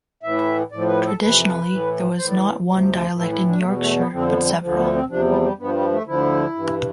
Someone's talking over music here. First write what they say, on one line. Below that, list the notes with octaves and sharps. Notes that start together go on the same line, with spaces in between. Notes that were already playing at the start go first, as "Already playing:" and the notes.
Traditionally, there was not one dialect in Yorkshire but several.
A2 E3 E5
A2 F3 D5
B4
A4
F2 C3 E3 B4
A2 E3
A2 E3 C5
D5
D2 C3 F3
A2 E3 E4
E4
D4
A3
E2 B2 B3
A3
B3
F2 D3 F3 C4
B3
G3
D2 D3 F3
B3
C4
E2 C3 F3 D4
G3
G3
G2 F3 B3
G3
A3
D2 D3 F3 E4
G2 E3